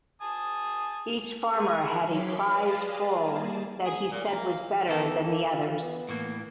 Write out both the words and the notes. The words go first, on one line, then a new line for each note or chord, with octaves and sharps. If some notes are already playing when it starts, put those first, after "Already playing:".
Each farmer had a prized bull that he said was better than the other's.
G#5 A5 D#6
G#4 A#4 G#5 C#6
F6
F#3 C#5 B5 C6 D6
G#4 B4 D5 D#5 F5 A5
G3 A#3 G#4 A5
G#4
A#2
A#3
E3 B3 A4
A#3
F4
B3
A2 E3 A#3